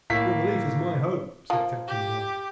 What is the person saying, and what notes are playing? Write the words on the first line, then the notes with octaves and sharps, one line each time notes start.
"Your belief is my hope," said Captain Blood.
A2 A#3 B6
F3 A#3
G4